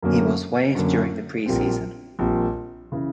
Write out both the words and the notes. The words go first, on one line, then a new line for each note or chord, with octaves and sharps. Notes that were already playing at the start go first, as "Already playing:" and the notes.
He was waived during the preseason.
F#2 D3 F#3 A#3 C#4
F#2 D3 F#3 A#3 C#4
A#1 A#2 G3 C4
A#1 A#2 G3 C4
C#3 E3